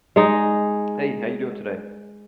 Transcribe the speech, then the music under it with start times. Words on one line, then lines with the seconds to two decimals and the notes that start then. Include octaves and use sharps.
Hey, how you doing today?
0.16 G#3 D#4